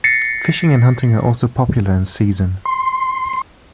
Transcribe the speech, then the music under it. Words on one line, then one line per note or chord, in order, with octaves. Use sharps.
Fishing and hunting are also popular in season.
A6 A#6 C7 C#7
C6